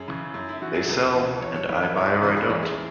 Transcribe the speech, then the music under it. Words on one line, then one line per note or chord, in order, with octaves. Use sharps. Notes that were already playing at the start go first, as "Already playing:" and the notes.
They sell and I buy or I don't.
Already playing: F#2 G#4
C#3 E3
F#2
E4
E3 F#4
G#4
C#2 B4
C#3 E3
E2 C#5
C#5
E3 B4
B4
C#2 C#5
B4
C#3 E3 B4
G#4
E2 E4
G#4